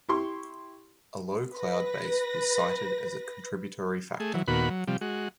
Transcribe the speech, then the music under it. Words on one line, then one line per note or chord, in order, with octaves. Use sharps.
A low cloud base was cited as a contributory factor.
E4 G4 C6 C#6
B4 A#6
A3 G#4
E3 F#3
D#2 A#2 B3 F#4 B5
F#3
C3 F3 G3
G#3 F#4